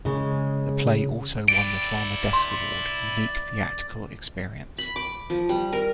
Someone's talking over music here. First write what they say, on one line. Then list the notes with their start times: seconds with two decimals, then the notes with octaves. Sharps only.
The play also won the Drama Desk Award, Unique Theatrical Experience.
0.05 C#3 G#3
1.48 E4 D5 G5 D7
2.33 C6
4.78 B5
4.96 D6
5.30 F3
5.49 G3
5.73 A#4